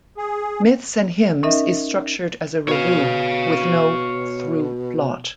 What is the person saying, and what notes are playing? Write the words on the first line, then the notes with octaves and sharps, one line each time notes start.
"Myths and Hymns" is structured as a revue, with no through plot.
G#4
C#4 D#4 A#4 D#5 E5
B2 C#5 F5